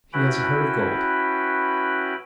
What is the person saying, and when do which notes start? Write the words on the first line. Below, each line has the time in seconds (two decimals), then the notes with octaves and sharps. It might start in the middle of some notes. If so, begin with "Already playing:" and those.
He has a heart of gold.
0.13 C#4 E4 F#4 B4 G5 B5